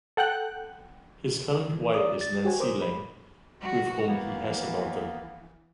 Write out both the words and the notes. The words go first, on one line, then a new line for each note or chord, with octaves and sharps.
His current wife is Nancy Lange, with whom he has a daughter.
A4 F#5 G5 F#6
E3
A#4 D5 D6 D#6
A6
F#4 G4 C5 C#5 F#5 G#5
A#4 C5 D6 D#6
B5
G3 F#4
E3 A#3 B3